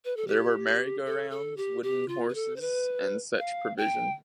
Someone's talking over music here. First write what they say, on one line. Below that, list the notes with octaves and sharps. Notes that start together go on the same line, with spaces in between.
There were merry-go-rounds, wooden horses, and such provision.
B4
A4
G4
A4
A4
G4
G4
F4
B4
A4
C5
B4
F5
G5